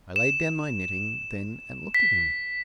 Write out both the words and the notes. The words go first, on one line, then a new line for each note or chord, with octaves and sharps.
I laid down my knitting then and looked at him.
E7
B6